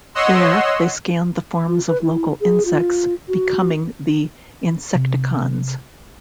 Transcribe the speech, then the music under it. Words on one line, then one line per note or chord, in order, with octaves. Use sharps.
There, they scanned the forms of local insects, becoming the Insecticons.
C#5 D#5 F#5 C6 E6
F4
B4
E4
G#4
F4
F#4
C3